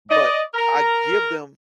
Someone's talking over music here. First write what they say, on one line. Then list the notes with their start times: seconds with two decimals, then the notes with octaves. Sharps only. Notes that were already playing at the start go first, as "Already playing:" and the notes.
but I give them
0.11 D5 D#5
0.54 A#4 A#5